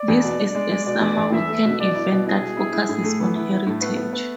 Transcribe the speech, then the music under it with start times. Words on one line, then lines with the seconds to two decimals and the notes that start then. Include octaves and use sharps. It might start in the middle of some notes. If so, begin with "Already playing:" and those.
This is a summer weekend event that focuses on heritage.
Already playing: D5
0.08 E2
0.24 B2
0.40 D4
0.55 G#3
0.71 G#3
0.86 B2 D5
1.01 E2
1.18 E2
1.32 E2 E5
1.48 A3
1.64 B2
1.80 B2 D5
1.95 E4
2.11 B2
2.26 E4 G#4
2.41 B2
2.57 E4
2.72 E4
2.89 A2
3.04 A3
3.20 E3 B3
3.35 E4
3.51 E4
3.66 A2 A3
3.81 B3
3.97 B3
4.13 B3